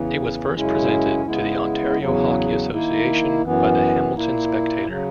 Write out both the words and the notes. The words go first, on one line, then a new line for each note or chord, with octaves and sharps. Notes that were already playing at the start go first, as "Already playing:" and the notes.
It was first presented to the Ontario Hockey Association by "The Hamilton Spectator".
Already playing: E2 C#3 E3
F#2 C#3 G#3 C#4 E4
C#3 G#3 B3 E4
E2 C#3 F#3
D#3 A#3 E4
F#2 E3 B3
A#2 A#3 E4
C#3 F#3